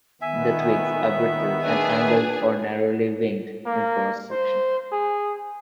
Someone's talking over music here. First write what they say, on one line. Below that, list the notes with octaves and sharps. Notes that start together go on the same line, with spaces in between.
The twigs are brittle, and angled or narrowly winged in cross-section.
D#3 B3 E5 G#5
D4 G#4 B4 G#5
A#3
C5
G#4